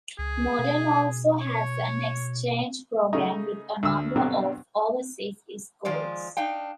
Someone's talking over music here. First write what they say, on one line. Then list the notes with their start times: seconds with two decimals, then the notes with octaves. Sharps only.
Modern also has an exchange program with a number of overseas schools.
0.19 C#2 G#4
0.59 B2
1.41 C#5
3.13 C#3 A3 D#4
3.83 D2 E6
4.15 G2 B2 D3 F#3 C4
5.85 D#3 F3 G#3 F4 D5
6.37 D4 D#4 F5 G5